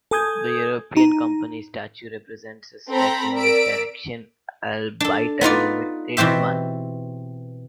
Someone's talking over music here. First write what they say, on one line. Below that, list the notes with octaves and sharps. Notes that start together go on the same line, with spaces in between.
The European Company Statute represents a step in this direction, albeit a limited one.
A4 G#5 D#6 G6 G#6
D#4 A#5
C4 A4 A#5 B5
A#4 D5 E6 B6 D7
D4 A4
B3 D#4 F4 D5
B2 E3 C4 G4 E5